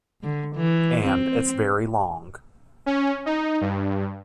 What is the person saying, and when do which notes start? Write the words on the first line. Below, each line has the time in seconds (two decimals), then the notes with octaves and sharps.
And it's very long.
0.23 D3
0.55 E3
1.05 C4
2.86 C#4
3.26 D#4
3.61 G2